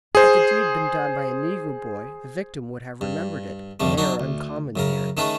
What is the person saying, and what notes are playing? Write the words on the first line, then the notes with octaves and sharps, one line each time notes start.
Had the deed been done by a negro boy, the victim would have remembered it; they are uncommon here.
G#4 C5
G2
C2 F2 D3 G3 A3
F#3 D4 D#4 F#4
D2
F#2 C#3 A#4
D#3 A3 C#4 G#4 A4 B4